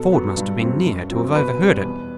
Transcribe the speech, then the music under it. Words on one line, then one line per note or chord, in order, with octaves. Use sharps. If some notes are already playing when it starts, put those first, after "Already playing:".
Ford must have been near to have overheard it.
Already playing: B2 A4
F#3 B3
G2
F#3 C4
F#2
F#3 C4
B2 B4
G3 C4
E2